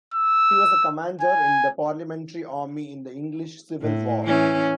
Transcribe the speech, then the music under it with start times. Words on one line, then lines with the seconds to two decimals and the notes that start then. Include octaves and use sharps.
He was a commander in the Parliamentary army in the English Civil War.
0.14 E6
1.21 G#5
3.81 A2
4.23 E3 C#4